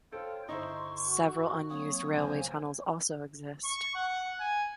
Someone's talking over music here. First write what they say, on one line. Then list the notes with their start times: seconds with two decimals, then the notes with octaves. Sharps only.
Several unused railway tunnels also exist.
0.13 F4 A4 C5 C#5 G5
0.49 G2 D3 D#4 E4 C5 C6 C#6
1.07 F#4
1.70 F#3 A#3 C4 C#5 D#6
2.16 C#2 C5 G#5
3.64 C#6
3.95 F#5
4.40 G#5